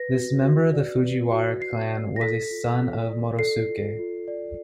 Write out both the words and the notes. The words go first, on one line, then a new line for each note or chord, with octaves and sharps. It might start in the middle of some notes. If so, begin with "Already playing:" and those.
This member of the Fujiwara clan was a son of Morosuke.
Already playing: B4 A#6
F#4
F#4
D5
B4
F#4
F#4 C7
D5
A#6
A4 B6
F4
F4
D5
A4 C7
F4
F4
D5